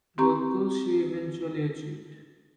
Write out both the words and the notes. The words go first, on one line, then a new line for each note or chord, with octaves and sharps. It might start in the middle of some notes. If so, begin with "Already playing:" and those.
Both goals she eventually achieved.
C4 G4 A#5 C#6